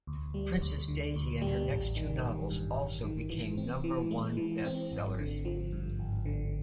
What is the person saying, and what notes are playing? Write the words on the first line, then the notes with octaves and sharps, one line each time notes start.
"Princess Daisy" and her next two novels also became number one bestsellers.
D2
G3
D2
D3
D2
G3
A1
D#3
A1
G2
A1
D#3
E3
C4
E3
G#3
E3
C4
G#1
D3
F3
G2
G#1
D3